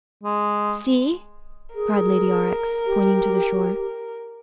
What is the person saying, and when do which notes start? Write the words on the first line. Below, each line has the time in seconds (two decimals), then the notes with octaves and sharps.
"See!" cried Lady Aurex, pointing to the shore.
0.24 G#3
1.74 G#4 A#4
2.85 G4